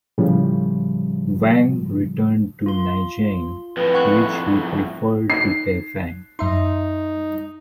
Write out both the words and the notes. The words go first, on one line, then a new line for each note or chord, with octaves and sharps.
Wang returned to Nanjing, which he preferred to Kaifeng.
A2 C#3 F3 G3
F4 C6
F2 A2 B4
F#5 C#6 F#6
D#4 C7
F#2 D#4 E5 C6